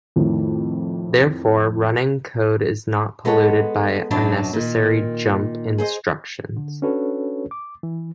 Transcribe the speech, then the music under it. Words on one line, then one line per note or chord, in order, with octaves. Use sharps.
Therefore, running code is not polluted by unnecessary jump instructions.
F2 A2 D#3
G#3 B3 A4 C#5 F#5
F#2 B2 F#3 B3 D4
A#2 D#3
G#4 C5 D#5
D3
C#4 D4 F#4 A4 B4 C#5
D6
E3